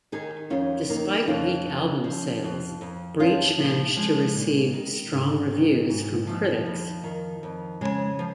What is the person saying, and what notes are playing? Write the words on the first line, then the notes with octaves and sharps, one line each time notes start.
Despite weak album sales, "Breach" managed to receive strong reviews from critics.
D#3 D#4 G#4
F2 C#4 F4
D#3 A#3 D#4
F2 C#4 F4
C#3
F3
F2
F2
F3 C#4 F4
A#2 F3
F3 G#3
A#2
D#3
G#2
D#3
G#2
D#3 F3
F2
D#3
F2
C#3 G#3
F3